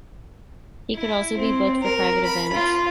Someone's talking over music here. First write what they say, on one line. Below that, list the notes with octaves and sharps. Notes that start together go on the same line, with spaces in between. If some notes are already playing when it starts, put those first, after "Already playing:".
He could also be booked for private events.
E4
C4
A#4
B5
F4